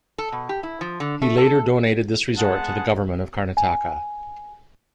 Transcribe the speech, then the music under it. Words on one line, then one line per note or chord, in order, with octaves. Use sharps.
He later donated this resort to the Government of Karnataka.
A4
B2
G4
E4
F3
D3
A3
A4
G#3 B3 G#4 F#5 A5
G#5